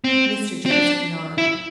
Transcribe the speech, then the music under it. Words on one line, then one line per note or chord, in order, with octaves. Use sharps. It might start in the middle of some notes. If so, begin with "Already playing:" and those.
Mr. Joseph nodded.
C4
C4
D4
E4